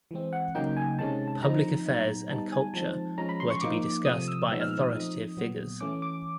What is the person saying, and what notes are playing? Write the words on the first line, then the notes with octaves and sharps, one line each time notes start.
Public affairs and culture were to be discussed by authoritative figures.
E3 G#3 C4
F#5
C#3 F#3 A#3 D#4 G5
G#5
C3 D#3 G#3 C#4 A5
A5
F3 A3 C4 D#4 A#5
A#2 F#3 B3 D#4
D#3 G3 B3 D#4 A5
G#5
F3 G#3 C4 D#4 A5
F3 G#3 C#4 A#5
B5
C6
C#6
F3 A#3 D#4 D6
C3 F3 A3 D#6
E6
A#2 F3 G#3 B3 D#4 E6
F6
F6
D#6
F3 A3 C4 D#4
A#2 F#3 B3
E3 A3 C#4 D6
D6